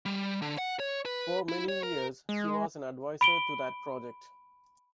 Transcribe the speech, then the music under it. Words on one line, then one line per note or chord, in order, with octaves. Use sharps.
For many years, she was an adviser to that project.
G3
D3
F#5
C#5
B4
E4
C#5
A#4
G#3
B5 D7 G7